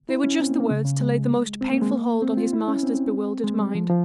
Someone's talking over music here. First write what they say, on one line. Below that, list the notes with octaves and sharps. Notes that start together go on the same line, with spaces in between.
They were just the words to lay the most painful hold on his master's bewildered mind.
E4
C#4
C4
A#3
A#3
C#3
C#3
G#3
C4
A#3
G#3
A#3
C4
F4
E4
C#4
C4
G#3
G3
F3
F3